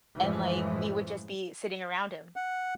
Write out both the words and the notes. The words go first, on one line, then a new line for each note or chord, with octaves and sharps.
and, like, we would just be sitting around him.
F#2 A2 E3 F3 G#3
F#5